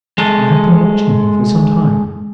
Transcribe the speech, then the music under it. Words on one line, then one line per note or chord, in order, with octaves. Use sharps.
"I have been watching you for some time."
G#3 A4